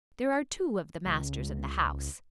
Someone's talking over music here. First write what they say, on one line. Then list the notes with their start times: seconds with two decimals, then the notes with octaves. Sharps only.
There are two of the masters in the House.
1.06 C#2